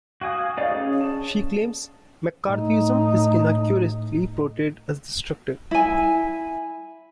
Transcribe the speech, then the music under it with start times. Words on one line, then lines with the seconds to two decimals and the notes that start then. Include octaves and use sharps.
She claims McCarthyism is inaccurately portrayed as destructive.
0.21 F#4 F5 G#5 D#6
0.57 D#4 D5 F5
0.71 C#4 G#4
1.01 A5
2.47 A2 D#4
5.71 E4 G#5